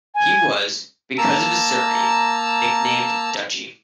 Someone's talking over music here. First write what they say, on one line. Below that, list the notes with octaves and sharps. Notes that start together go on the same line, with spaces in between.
He was, because of his surname, nicknamed "Dutchy".
G#5
A#3 A5 A#5 E6